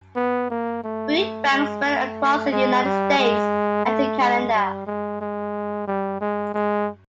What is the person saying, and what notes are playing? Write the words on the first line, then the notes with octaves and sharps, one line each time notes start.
Food banks spread across the United States, and to Canada.
B3
A#3
A3
A3
G#3
A3
G#3
G3
G#3
A3
G#3
G3
G#3
G#3
G3
G#3
G#3